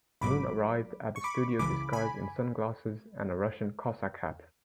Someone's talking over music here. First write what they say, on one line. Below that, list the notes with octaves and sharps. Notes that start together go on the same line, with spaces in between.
Moon arrived at the studio disguised in sunglasses and a Russian cossack hat.
G#1 G#2 F#3 B5 D6
C#6
B5 D6
C#2 C#3 E3 B5 D6
G#5 B5